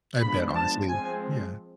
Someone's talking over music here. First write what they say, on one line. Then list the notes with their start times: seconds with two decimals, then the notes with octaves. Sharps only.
I bet, honestly. Yeah.
0.22 F3 G#3 B3 D4 B5
0.56 A5
0.87 F3 G#3 C4 G#5